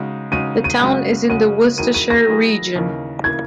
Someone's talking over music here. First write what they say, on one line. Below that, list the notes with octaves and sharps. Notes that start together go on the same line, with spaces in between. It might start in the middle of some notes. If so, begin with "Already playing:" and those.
The town is in the Worcestershire region.
Already playing: C#3 G#3 D#4 F#4
C#3 G#3 D#4 F#4 D#7
D#7
F#2 C#3 G#3 C#4 F#4
F#2 C#3 G#3 C#4 F#4 D#7
D#3 F#3 A#3 E4 G#4 D#7
D#7
A#6
D#3 F#3 A#3 E4 G#4
D#2 C#3 E3 A#3
C#3 E3 A#3 G#6